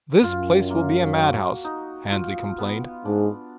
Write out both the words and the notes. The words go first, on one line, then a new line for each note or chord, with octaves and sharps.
"This place will be a madhouse," Handley complained.
F#2 F4
A#3
F#4
D#4
F4
B3
G#2 D4